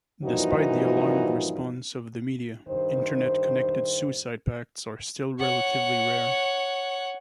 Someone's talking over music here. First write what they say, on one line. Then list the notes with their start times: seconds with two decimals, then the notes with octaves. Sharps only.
Despite the alarmed response of the media, Internet-connected suicide pacts are still relatively rare.
0.23 G2 A#2 E3 F3 D#4 F#4
2.67 G2 D#3 C5
5.39 C#5 F#5